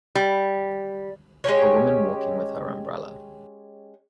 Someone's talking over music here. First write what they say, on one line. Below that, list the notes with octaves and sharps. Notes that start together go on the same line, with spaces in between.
A woman walking with her umbrella.
G3
G#3 C#4 G4 C#5